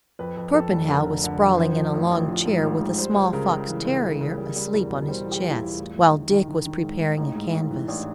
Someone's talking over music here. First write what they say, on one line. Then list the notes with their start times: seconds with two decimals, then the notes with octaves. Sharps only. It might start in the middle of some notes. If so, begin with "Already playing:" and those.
Torpenhow was sprawling in a long chair with a small fox-terrier asleep on his chest, while Dick was preparing a canvas.
0.19 F2 B4
0.37 F2
0.53 F2 A4
0.72 F1
0.89 D3 A#4
1.07 F1
1.24 D3
1.40 F2
1.58 F3 C5
1.76 F3
1.94 A1
2.11 A1
2.28 F3
2.46 G#2
2.63 A1
2.81 G#2
2.98 G3 C5
3.16 C#2
3.33 C#3 A#4
3.51 C#2
3.68 E3
3.85 C#3
4.03 C#2
4.21 C#3
4.38 G3
4.56 G3
4.73 E2
4.90 B2
5.08 G3 C5
5.26 E2
5.31 G4
5.43 G3
5.49 E4
5.55 F4
5.61 E2
5.78 A1
5.96 A1
6.13 D#3
6.31 D#3
6.48 D#3
6.66 D#3
6.83 G#2
7.00 G#2
7.17 A1 D#4
7.36 G#2
7.53 A1
7.71 E3
7.88 A1 D4